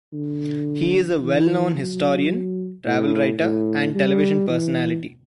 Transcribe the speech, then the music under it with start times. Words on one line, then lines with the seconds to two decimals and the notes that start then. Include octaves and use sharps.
He is a well-known historian, travel writer and television personality.
0.13 D3
1.22 E3
1.77 F#3
2.85 A2
3.40 A2
3.95 G3
4.49 E3